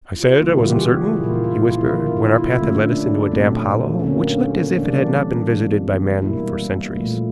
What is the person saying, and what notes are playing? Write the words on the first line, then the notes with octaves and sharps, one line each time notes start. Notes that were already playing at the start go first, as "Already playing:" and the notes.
"I said I wasn't certain," he whispered when our path had led us into a damp hollow which looked as if it had not been visited by man for centuries.
F4
C#3 E3 G3 A#3 E4
F4
F#4
G4
G#4
A#2 F3 A#3 E4
F4
E4
F4
E4
F4
E4
D3 F3 A#3 F4
E4
F4
E4
F4
E4
D3 F#3 A3 C#4
D4
D4
A#2 F#3 A3 C4
C#4
D3 F#3 A#3 C4
C#4
C3 E3 G3 A#3 D4
C3 F3 G#3
B2 G3 A#3 E4
A#2 F3 A3